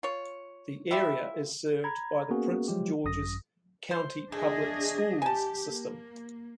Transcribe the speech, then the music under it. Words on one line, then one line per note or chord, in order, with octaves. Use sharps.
The area is served by the Prince George's County Public Schools system.
F4 C#5
E4 F4 G4 E5 B5
A#5 B5 G#6
A#3 B3 C#4 F#4 G#4 A#4
F3 F#3 G#3 F4 G4
G#1 F#2 D#6 A#6
C5
G#3 A3 D4 G#4 D#5
G4 G#5 A5
A#3